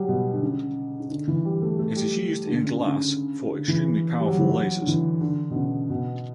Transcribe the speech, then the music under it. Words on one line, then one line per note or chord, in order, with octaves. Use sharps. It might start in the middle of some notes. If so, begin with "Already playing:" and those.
It is used in glass for extremely powerful lasers.
Already playing: F#3 G3
B2
D3
C#3
C#3
D3
E3
G3
A3
A3
G3
D3
C#3
D3
C#3
D3
E3
G3
F#3
E3
F#3
D3
E3
D3
B2
C#3
B2